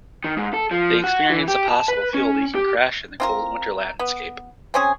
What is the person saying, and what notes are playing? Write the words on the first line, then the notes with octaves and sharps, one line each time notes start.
They experience a possible fuel leak and crash in the cold winter landscape.
D#3
G#2
A4
F3
F#4
E3
G4
A5
B4
C#4
G4
C4 F4 A#4
B3
C4 C#4 G#4